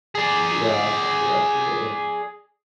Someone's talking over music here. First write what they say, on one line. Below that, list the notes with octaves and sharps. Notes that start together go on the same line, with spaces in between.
Yeah, have a good afternoon.
G#4 D5